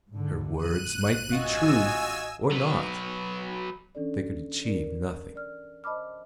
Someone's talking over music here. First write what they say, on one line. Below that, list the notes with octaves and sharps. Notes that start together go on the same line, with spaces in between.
Her words might be true or not, they could achieve nothing.
G#2 D3
A1 F#2 F#6 D#7
F4 F#4 D#5 G#5 E6
F#3 B4
E3 C#4 D4 A4 D5
A#4 D5
D5 F6
C5 D#5 A5 B5 D6 F6